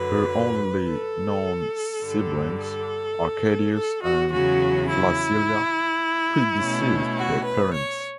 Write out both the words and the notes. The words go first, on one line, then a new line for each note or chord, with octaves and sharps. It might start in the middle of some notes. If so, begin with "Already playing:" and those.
Her only known siblings, Arcadius and Flacilla, predeceased their parents.
Already playing: F#2 D3 F#3 B4
A4
G2 D3 G3
A4
A4
F#4
E2 C#3 F#3 C#4 F#4
E4
B2 A3 C#4
F#4
B4
C#5